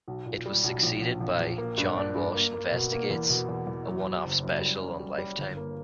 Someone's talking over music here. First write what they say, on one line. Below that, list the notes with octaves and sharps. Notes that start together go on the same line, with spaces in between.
It was succeeded by "John Walsh Investigates", a one-off special on Lifetime.
B1
A#2
G3
B1
A#1
A#1
A#1
A#1
A#3
G2
D4
G2
A#3
A#3
B2
A#3
E2
B2
E2
E2
F#3
F#3
F#1
F#2
G3
C#4
G3
G3
G1
A#3